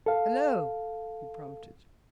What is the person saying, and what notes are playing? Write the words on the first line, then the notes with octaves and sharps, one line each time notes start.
"Hello!" he prompted.
A4 F5